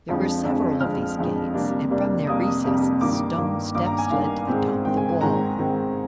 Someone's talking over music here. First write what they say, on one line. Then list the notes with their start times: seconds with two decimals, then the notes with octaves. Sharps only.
There were several of these gates, and from their recesses stone steps led to the top of the wall.
0.08 F2 D3 F3 G#3
0.45 F2 D3 F3 G#3
0.81 F2 D3 F3 G#3 F6
1.17 F2 D3 F3 G#3
1.54 F2 C3 G3 A#3 D4
1.91 F2 C3 G3 A#3 D4
2.27 F2 C3 G3 A#3 D4 D#6
2.64 F2 C3 G3 A#3 D4
3.01 G2 D#3 A#3 D6
3.37 G2 D#3 A#3
3.75 G2 D#3 A#3 D6
3.86 A#5
3.98 G#5
4.11 G2 D#3 A#3 F5
4.47 G#2 D#3 G#3 C4
4.85 G#2 D#3 G#3 C4 G5
4.97 G#5
5.09 G#5
5.21 G#2 D#3 G#3 C4 A#5
5.58 G#2 D#3 G#3 C4